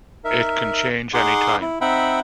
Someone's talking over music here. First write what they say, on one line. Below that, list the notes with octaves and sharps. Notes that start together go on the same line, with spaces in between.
It can change any time.
D#4 A#4 E5
D#4 G#4 F#5 C6 D6
E4
C4 D#4 E5 F#5 G5 B5